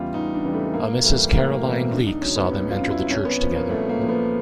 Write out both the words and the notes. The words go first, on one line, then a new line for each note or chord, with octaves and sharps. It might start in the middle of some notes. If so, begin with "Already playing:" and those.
A Mrs. Caroline Leak saw them enter the church together.
Already playing: E2 C#3 E3 G3 F4
E2 D#4
D4
C#3 E3 G3
A3
A3
A2 A#3
E3 G3 A3
A2 A#3
E3 G3 C4
C#2 D4
D#4
C#3 F#3 C#4
B3
C#2
F4
C#3 F#3
E4
C2 C#4
B3
A#2 F3
A#3
C2 A3
A#3
A#2 F3
B3